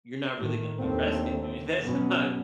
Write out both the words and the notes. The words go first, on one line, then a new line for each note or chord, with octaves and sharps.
you're not really gonna be resting during that time,
A2 D#3
D#2 D3 A3 C4
B2 F#3 B3 C#4